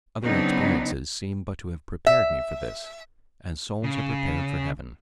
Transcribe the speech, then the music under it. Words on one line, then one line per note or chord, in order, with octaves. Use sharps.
Other experiences seemed but to have prepared me for this, as souls are prepared for heaven.
C#3 F#3 B3 C4 D4 D#4
E5
C#3